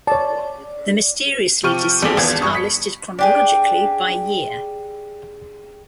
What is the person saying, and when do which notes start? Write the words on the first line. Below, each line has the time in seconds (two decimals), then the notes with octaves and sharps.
The mysteriously-deceased are listed chronologically by year.
0.07 C#5 D5 A5
1.63 C3 F3 G4 C#6 F6 D#7
2.02 A#1 C4 G#4 A4 D6 B6
2.17 G#1 E2 B3 A5 G#6
2.42 G2 C#6 D#6
2.55 B6 C#7
3.19 D4 G4 G#4